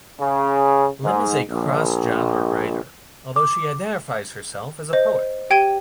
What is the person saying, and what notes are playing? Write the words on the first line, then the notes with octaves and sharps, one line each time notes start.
Lim is a cross-genre writer, although she identifies herself as a poet.
C#3
G#2
A#1
D6
C5 D#5
G4 G5 G#6 D#7 G7